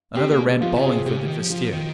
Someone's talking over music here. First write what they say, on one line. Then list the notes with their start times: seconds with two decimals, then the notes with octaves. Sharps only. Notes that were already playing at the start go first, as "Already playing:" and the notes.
Another ran bawling for the vestiaire.
0.16 C4 G4
0.31 A#3
0.61 F3 F4
0.76 C#3
0.83 G#4
0.90 C3
1.05 C3 G4
1.16 C#3
1.28 D#3
1.39 F3
1.50 F3 F4
1.72 D#3